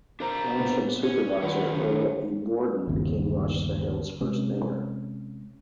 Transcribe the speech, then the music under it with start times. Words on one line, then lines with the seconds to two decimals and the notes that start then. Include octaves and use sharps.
Township Supervisor Earl E. Borden became Rochester Hills' first mayor.
0.20 D4 A#4 C5 A#5
0.57 A#2 B3 C4
1.03 C#4
1.42 F#2 D#3 F4 B4 D5 F#5
1.74 D3
2.88 G1 D#2 C#3
4.21 C3 G#3 C#4